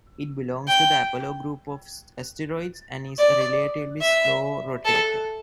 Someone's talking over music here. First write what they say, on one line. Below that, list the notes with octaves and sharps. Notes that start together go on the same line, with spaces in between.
It belongs to the Apollo group of asteroids and is a relatively slow rotator.
G5
D5
E5
A4